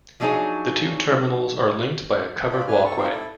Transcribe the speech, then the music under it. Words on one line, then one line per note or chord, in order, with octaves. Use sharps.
The two terminals are linked by a covered walkway.
F3 F#3 D4 D#4 G#4 C#5
D4 F4 D5 B5
D4 B4 G#5 F6
A4 C#6
C4 D#4 F4 G4 C5 D5
E4 A4